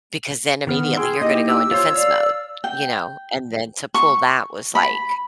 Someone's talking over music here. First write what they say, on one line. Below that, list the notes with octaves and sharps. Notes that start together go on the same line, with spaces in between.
Because then immediately, you're gonna go in defense mode, you know? And then to pull that was, like
D#3 B3 F6
G#4 G5 C6 E6
A#3 D#4 E4 G4 D#5
E6
F4 C5 C#5
D5 F5
G5
C#6
B5